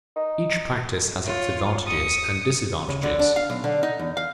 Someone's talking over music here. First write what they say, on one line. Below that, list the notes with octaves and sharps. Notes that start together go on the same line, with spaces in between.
Each practice has its advantages and disadvantages.
D#4
F4 C#5
D#6 C#7
C#3
D3
D4
F5
B1
D3
D#4
E2
F5